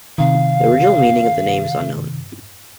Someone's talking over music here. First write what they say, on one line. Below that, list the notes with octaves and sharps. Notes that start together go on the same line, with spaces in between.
The original meaning of the name is unknown.
C3 D#3 F5